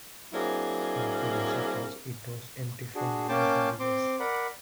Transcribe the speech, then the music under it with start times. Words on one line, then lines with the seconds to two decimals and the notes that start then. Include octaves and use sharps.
After Jazzy closed, it was empty for nearly five years.
0.33 F#3 A#3 C4 D4 E4 G#4
2.95 D4 F#4 G#4
3.29 A#3 C#4 G5 A5 C6 D6
3.80 C4 C6 D6
4.20 A#4 D5 F#5 B5